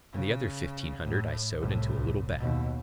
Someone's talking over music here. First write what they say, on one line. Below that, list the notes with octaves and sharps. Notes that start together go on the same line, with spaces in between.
And the other fifteen hundred I sewed into a little bag.
C#3
A2
C2 A2
D#2 B2